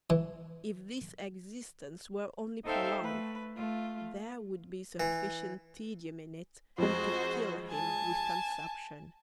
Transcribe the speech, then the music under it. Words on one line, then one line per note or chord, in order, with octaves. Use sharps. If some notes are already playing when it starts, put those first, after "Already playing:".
If this existence were only prolonged, there would be sufficient tedium in it to kill him with consumption.
E3
D#4 A4 C5 E5 F5 G5
A3 B4
A3 F4
E3
F2 G#3 F#4 C5
G#5 A5